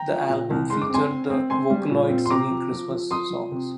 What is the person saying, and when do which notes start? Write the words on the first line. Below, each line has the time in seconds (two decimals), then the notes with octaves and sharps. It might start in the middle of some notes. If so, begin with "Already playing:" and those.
The album featured the Vocaloid singing Christmas songs.
Already playing: G5 A#5
0.10 F3
0.30 A#2
0.50 C2
0.70 G#3 C6
0.82 D6
0.90 C4 G#5 C6
1.11 C4
1.30 C4
1.50 C4 G#5 C6
1.70 G3
1.91 A#2
2.10 C4
2.26 C6
2.30 C3 A#5 D6
2.51 F3
2.70 F3
2.90 F3
3.11 F3 C6 D#6
3.30 F3
3.52 C3